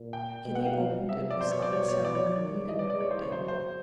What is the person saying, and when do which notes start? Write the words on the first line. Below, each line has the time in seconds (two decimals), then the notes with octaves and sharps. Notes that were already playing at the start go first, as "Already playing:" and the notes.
Kitty opened it without ceremony and looked in.
Already playing: A#2
0.13 G5
0.45 B2
0.55 F#5
0.66 F5
1.09 C3 E5
1.30 D5
1.41 B2 C5
1.52 C#5
1.62 D5
1.73 B2 C#5
1.88 C#5
2.05 D5
2.15 C#5
2.26 C#5
2.36 D#3 D5
2.69 E3 D#5
2.79 D5
2.90 D5
3.01 C#5
3.11 C5
3.22 C#5
3.32 F#3 C5
3.48 C5